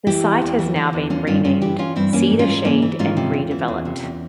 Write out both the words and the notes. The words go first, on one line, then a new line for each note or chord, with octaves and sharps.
The site has now been renamed Cedar Shade and redeveloped.
E3 E4 G4
E2
E2
E3
E3
E2
E3 C#4 F4
G2 C#4 F4
G2 C#4 F4
E3 E4 G4
E3 C#4 F4
G2 C4 E4
E3 A#3 C#4
G#2
C#4 F4
G#2
E3 A#3 C#4
E3
G#2 C#4 F4
C3
E2
E3
E2
C3
E2